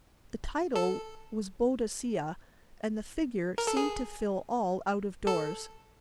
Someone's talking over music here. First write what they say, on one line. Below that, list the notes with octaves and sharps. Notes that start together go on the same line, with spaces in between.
The title was "Boadicea," and the figure seemed to fill all out-of-doors.
A4
A#4
A4
G#4
A4